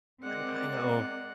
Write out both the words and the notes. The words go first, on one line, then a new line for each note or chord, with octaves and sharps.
I I know.
G#3 C4 A#4 D5 F#5